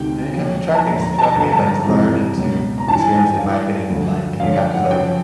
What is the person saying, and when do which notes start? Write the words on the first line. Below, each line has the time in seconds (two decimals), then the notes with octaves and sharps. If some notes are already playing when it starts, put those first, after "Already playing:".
you can you try things, you know what I mean? Like, to learn, and to experience in my opinion in life, if you have to, like,
Already playing: D2 C3 D#3 G5
0.33 D#2 C#3 F3
0.74 A5
0.84 D#2 D3 F3 A#5
1.01 A#5
1.19 A5
1.27 A#5
1.36 G2 D3 F3 A5
1.52 A5
1.69 A#5
1.86 F2 C3 E3
2.37 C#2 B2
2.78 A#5
2.87 G2 E3 A5
3.00 G#5
3.14 G#5
3.26 G5
3.39 G2 E3 F5
3.89 D2 D3 F3
4.40 F#2 D3 F3 F5
4.58 G5
4.74 F#5
4.91 F#2 C#3 F3 G5